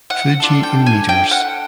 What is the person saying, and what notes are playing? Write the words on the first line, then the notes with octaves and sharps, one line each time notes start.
Fuji in meters.
F#5
D4 F4 A4
G5
G#5
G5
F#5